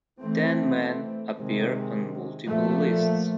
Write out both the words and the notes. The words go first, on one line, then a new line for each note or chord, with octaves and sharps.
Ten men appear on multiple lists.
E3 A3 C4
C3 D#3 G#3
A#2 F3 A3